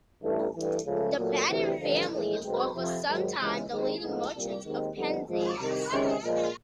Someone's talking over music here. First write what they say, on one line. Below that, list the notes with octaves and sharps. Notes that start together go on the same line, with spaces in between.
The Batten family were for some time the leading merchants of Penzance.
A1 G2 E3 A3
G2 E3 A3
C#2 C#3 F3 A3
A#2 F#3 A3
D2 C3 E3 G3
A1 G2 D3 F3
A#1 A2 E3 G#3
B1 B2 G#3 C4
F2 C3 F3
G#2 D#3 F#3
C#2 C3 E3 G#3 C#4
D#2 D#3 G#3 C4 D#4
A2 F3 G#3 B3 D#4
C2 A#2 G3
D#2 D#3 G#3 C4 D#4
F2 D3 G3 B3 D#4
G#1 G#2 F3 G#3
C2 C3 D#3
C#2 C3 D#3 G#3 C#4
A#2 F3 G#3